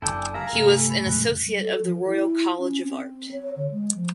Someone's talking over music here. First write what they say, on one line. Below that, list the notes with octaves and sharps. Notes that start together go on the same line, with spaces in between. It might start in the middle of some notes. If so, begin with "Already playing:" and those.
He was an associate of the Royal College of Art.
F#1 F#2 D4 E4 A4 G5 G#5 D#6
G#4 A#4 E5 F5 A#5
G2 C3 G3 A3 G#4 A4
B5
F2 A#2 C#3 G#3 F#6
G3
A4
F3
E4
C#4
C4
C#5
D3
G#3
F3